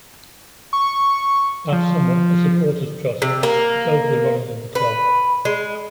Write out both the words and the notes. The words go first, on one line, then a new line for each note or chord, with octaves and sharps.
That summer, a supporters' trust took over the running of the club.
C#6
F3
C3
A#3
B4
G#3